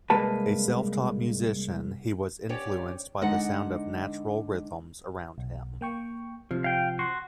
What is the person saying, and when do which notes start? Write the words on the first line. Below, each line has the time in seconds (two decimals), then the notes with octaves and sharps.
A self-taught musician, he was influenced by the sound of natural rhythms around him.
0.10 C2 G#3 A#3 B4 A5
2.49 C#4 G4 C#5 D5
3.21 D3 G#3 D#4 D#5 F#5
5.38 B1
5.81 A#3 G5 C#6
6.51 C3 F3
6.64 F5 G5
6.99 F#4 C6 C#6